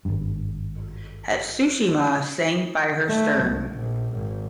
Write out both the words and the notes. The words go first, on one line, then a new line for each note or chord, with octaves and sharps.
"Hatsushima" sank by her stern.
G#1 G2
A3
C2
A#1
G#1